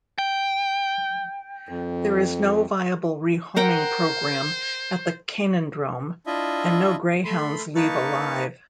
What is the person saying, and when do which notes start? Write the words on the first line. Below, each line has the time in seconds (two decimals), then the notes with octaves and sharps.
There is no viable rehoming program at the Canidrome, and no greyhounds leave alive.
0.18 G5
1.69 F2
3.56 A#4 C5 F#5 G5
6.27 D4 E4 F4 D#5 E5
7.25 A3 B5 C6
7.75 A#3 D#4 B4 A5 C#6